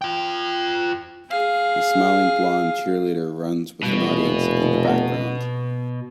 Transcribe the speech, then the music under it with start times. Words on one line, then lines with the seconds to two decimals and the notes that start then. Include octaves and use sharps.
A smiling blond cheerleader runs with an audience in the background.
0.02 F4 G5
1.30 G#4 F5
3.83 F1 B2 G3
4.85 B3 F#5